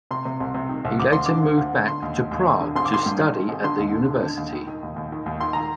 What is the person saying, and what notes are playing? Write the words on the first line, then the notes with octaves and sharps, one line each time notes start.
He later moved back to Prague to study at the university.
C3 C6
C3
C2
C3
D#3
C2
D2 D6
D2 C6
D3 D6
D2
D2
D3
D3 C6
D#2
D#2
D#2
D#2
D3
G#1 C6
D6
D#3 C6
G2
D#3
D#3
G#1
D3 C6
D#2
D3
D3
D3
D#2
D#3
D#3
D#2
D#2
D#3
D#2
D#3 C6
D#3 A#5